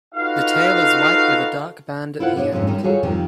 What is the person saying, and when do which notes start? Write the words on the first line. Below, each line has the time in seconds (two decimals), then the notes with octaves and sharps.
The tail is white with a dark band at the end.
0.14 D#4 F4 F#4 A4 B4 F5
2.20 E4 F4 A#4 C5 F#5
2.36 D4 G#4 C#5 D#5
2.52 F2 G#2 C3 G#3 C#4 D4
2.67 D3 D#3 G3 C#4 D#4
2.83 G3 F4 F#4 G#4 A4 C#5
3.03 F2 C3 D#3 F3 G3